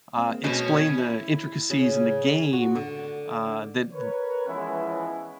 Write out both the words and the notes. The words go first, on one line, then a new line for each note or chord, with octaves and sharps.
uh, explain the intricacies in the game, uh, that b
G#3 A#3 C4
B2 C#4
E4
C#3
F#4
D3
A#4 B4 C#5
E3 F3 G#3 B3 C#4 E4